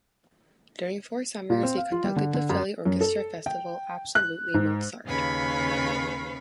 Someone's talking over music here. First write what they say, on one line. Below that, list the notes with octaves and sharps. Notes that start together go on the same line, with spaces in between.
During four summers, he conducted the Philly Orchestra Festival "Absolutely Mozart".
A#2
C4
F5
F4
G3
D3
D3
F#2
F#2
A4
G5
F#6
G#2
D#2 C#3 B4 F5 B5 C#6